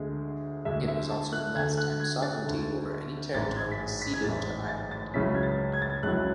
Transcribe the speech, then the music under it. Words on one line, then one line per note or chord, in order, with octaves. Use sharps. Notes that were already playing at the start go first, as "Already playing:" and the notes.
It was also the last time sovereignty over any territory was ceded to Ireland.
Already playing: D2 D3 G#3
D2 D3 G#3 E5
E5
A5
F#6
D2 D3 A3 G#6
F#6
G#6
A6
D2 D3 A3
A1 G#2 G#3 A6
G#6
B6
A6
B6
G#6
A1 G#2 G#3 A6
A6
A6
C#2 C#3 F#3 C#4 E4 B6
G#6
A6
G#6
A6
G#6
C#2 C#3 F#3 C#4 E4 F#6